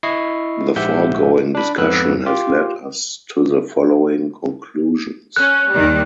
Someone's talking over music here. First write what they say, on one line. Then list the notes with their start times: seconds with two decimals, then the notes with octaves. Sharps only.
The foregoing discussion has led us to the following conclusions.
0.03 E4 D#5 C#6 C7
0.76 A#1 G#2 G4 E5 F#5 G6
1.55 D4 B5
1.78 F2 G#2 B3 B4 E6 F#6
2.26 F4 G4
5.36 C#4 F#6
5.72 D#2 D#3 G3